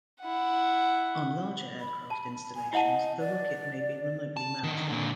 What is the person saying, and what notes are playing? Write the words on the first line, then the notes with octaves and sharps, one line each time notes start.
On larger aircraft installations the rocket may be remotely mounted.
E4 F#5
B5
A5
G#5
E4 D#5 F#5 A5
D5
A5
D3 D#3
A#2 D3